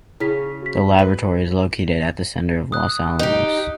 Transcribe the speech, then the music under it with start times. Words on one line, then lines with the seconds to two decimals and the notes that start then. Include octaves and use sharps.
The laboratory is located at the center of Los Alamos.
0.20 C#3 E4 G#4 B6
0.63 F#4 B6
0.99 B4
2.72 D#6 F#6
3.19 D#4 G4